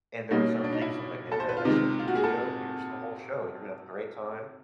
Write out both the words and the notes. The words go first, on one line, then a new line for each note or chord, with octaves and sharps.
and there were some things I'm like, "Man, I I sent you a video. Here's the whole show. You're gonna have a great time."
B2 G3 A#3 C#4 D#4
D4
D#4
E4
A4
C5
B4
F4
C3 D#3 G#3 D#4
F4
F#4
G#4
A4